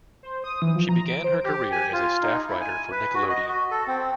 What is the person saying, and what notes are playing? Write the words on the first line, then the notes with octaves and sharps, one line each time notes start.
She began her career as a staff writer for Nickelodeon.
C5
D#6
E3
F3
A#5
D7
C5
G4
G#5
F4
D#4
E4
G#5
B4
F#4
D#5
F#4
A4
C4